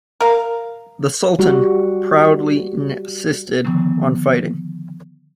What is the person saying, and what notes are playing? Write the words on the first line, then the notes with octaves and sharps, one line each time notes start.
The Sultan proudly insisted on fighting.
A#4 F5
G3 F#4
D3 D#3 F3 B3